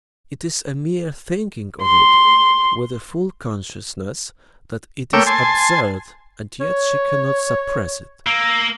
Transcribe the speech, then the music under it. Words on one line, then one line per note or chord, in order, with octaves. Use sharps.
It is a mere thinking of it with a full consciousness that it is absurd, and yet she cannot suppress it.
C6
A3 A#3 C#5 G5 D6 E6
G#5 A5 C6
C#5
A#3 E6